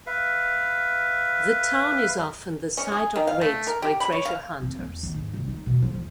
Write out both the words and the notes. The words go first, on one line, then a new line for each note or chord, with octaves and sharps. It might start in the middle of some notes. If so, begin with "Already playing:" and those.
The town is often the site of raids by treasure hunters.
B4 E5 F5
C#4
G#4
D#3
F5
A3
A#4
G4
B5
C#5
F5
C4
E2
D#3
G#2
C2
D#4
B2
F3
F2